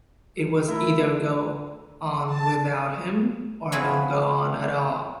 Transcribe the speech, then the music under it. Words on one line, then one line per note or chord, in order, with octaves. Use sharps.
It was either go on without him, or don't go on at all.
A3 E4 A#4
A5
F3 C4 E4 F#4 G#4 B4